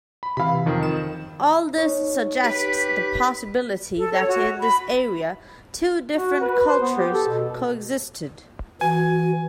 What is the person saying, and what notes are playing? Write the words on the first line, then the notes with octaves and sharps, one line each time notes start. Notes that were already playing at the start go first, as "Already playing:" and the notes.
All this suggests the possibility that in this area two different cultures coexisted.
B5
C3 E3 F5 B5
F2 D#3
E7
D#4 C#5
G4 B4 B6
A4
C#5
F#4
B5
F#4
B4
C5
B3
G4
A4
B2
E3 F#4 G#5